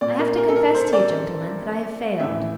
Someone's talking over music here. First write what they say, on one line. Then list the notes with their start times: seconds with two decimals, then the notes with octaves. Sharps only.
I have to confess to you, gentlemen, that I have failed.'
0.01 A#2 D5
0.19 A#4
0.38 A#4
0.48 A4
0.56 A#4
0.74 C5
0.93 D5
2.20 A2 E3 E5